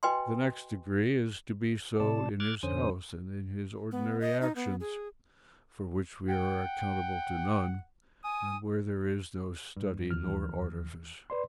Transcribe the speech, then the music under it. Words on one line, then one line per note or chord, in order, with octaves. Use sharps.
The next degree is to be so in his house, and in his ordinary actions, for which we are accountable to none, and where there is no study nor artifice.
F#4 B4 D#5 G5 G#5 C6
A2 C3 D5 A5
D6 F6 F#6 G#6 A6
F2 D3 C#4 C5 D#6
B3
D#5
D#4
B3
G#4
F#5 G5
G#5 D#6
G2
D#2 F3 F6
E2
B4 D5 C6